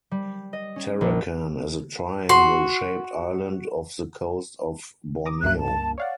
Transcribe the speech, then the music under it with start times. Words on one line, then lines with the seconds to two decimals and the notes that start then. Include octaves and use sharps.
Tarakan is a triangle shaped island off the coast of Borneo.
0.11 G3
0.53 D#5
0.76 C#4
1.01 A#1
2.29 F#4 C6
5.26 A#5 D6 D#6
5.43 C#2 G2 A#3 E5 F#6
5.57 A5
5.98 C#5 D5 F5 F#5